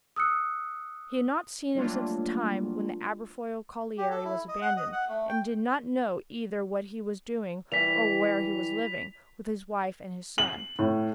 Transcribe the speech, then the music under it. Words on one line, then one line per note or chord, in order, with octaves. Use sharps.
He had not seen him since the time when the Aberfoyle colliery was abandoned, and did not know either what he was doing or where he was living, with his wife and his son.
D#6 E6 F#6 C#7
F#3 G3 A3 A#3 D4 F4
G4
A4
E4
D#5
F#5
D#5
F#5
A3
G5
E3 G3 B6 F7
F#7
A2